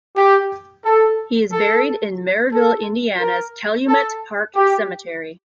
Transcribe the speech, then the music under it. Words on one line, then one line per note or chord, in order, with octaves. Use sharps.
He is buried in Merrillville, Indiana's Calumet Park Cemetery.
G4
A4
A4
A4
A#4
A4
G4